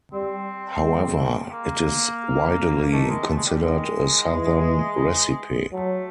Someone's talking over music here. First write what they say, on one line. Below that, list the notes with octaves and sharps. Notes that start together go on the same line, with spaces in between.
However, it is widely considered a Southern recipe.
G3 C4
G#3
A#3
A#3
D#3 A3
G#3
A3
G#3
G3
D#3 G#3
E3
F#3 A3